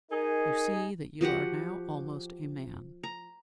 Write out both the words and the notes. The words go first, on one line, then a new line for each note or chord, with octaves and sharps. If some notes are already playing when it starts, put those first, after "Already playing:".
You see that you are now almost a man.
D#4 G#4 A#4
F3 F#4 G4 F#5
A#5